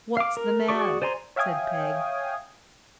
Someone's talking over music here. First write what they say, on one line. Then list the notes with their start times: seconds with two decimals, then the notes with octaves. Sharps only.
'What's the matter?' said Peg.
0.17 F5 D6
0.37 A#4
0.68 F#4 G#4 D5 C#6 D6
1.02 C5 D5 G#5 A#5 C6
1.36 C#5 E5 F5 G5 G#5 D#6